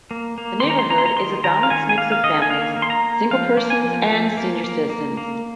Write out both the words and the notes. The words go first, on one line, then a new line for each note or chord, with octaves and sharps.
The neighborhood is a balanced mix of families, single persons, and senior citizens.
A#3
A#3
D#3 C6
A#5
C6
A#3 A#5
C6
A#5
D#3 C6
D#3 A#5
F5
D#3 G#5
G#5
A#3 F5
F5
D#3 D#5
G#5
A#3 F5
A#3
C6
A#5
A#3
F3 F5
A#3
G#5
F3
F3
A#3
A#3
A#3
A#3